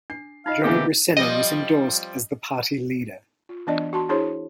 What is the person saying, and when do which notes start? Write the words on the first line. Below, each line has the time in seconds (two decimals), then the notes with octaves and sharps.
Johnny Briceno was endorsed as the Party Leader.
0.10 D4 C7
0.46 D#4 F4 D#5 F5
0.64 B2 D3 E3 A#3 C4 G4 G#4 F5
1.17 F3 G3 C4 D#5
3.49 F4
3.67 E3 B3 D4 D5 D#5
3.93 F#4 A5 C6
4.09 D4 E4 G#4 C5 C#5 C6